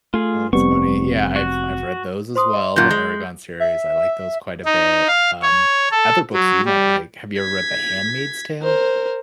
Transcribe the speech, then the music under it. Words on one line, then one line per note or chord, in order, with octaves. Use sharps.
Oh, it's funny. Yeah, I've I've read those as well, the Eragon series, I like those quite a bit, um, other books you might like, have you ever read The Handmaid's Tale?
A3 F4 G#4
F1 G3 B3 C4 C#6
F#4
C5 C6 D#6
D#5 C6
F#2 A#2 G6
G#3
E5
D#4
F5
C#5
A4
F#3
G3
G#6 B6
A#4 C5